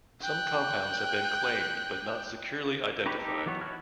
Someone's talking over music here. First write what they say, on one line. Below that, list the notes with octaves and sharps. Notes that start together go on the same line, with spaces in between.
Some compounds have been claimed but not securely identified.
G5 F#6
D#4 G4 B4 C#5
D#4 G4 A4
E3 F#3 B3 C#5
E4 F#4 C#5 F6